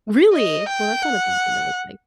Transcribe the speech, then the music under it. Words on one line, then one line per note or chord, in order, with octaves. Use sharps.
Really? Well, that's not a bad thing to look like.
D#5
G5
F#5